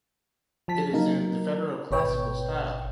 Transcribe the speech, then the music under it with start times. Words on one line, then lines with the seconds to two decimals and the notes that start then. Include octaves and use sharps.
It is in the Federal Classical style.
0.68 F3 A5 B6
0.92 F#3 A#3 D#4 A#4
1.91 G#1 B2 B4 C#5 G5